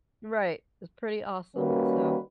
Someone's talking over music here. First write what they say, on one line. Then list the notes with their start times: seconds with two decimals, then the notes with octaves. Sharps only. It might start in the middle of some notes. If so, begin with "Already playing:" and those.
Right, it's pretty awesome. So
1.56 D#3 G3 A#3 C#4 F#4 B4